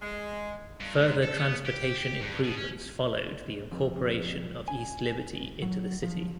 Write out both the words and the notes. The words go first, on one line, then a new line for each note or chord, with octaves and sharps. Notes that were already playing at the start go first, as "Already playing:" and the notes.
Further transportation improvements followed the incorporation of East Liberty into the city.
G#3
G2
G#2
A4
B3
G4
G4
G2
B2
C#4
F2
G#5
F#3
F3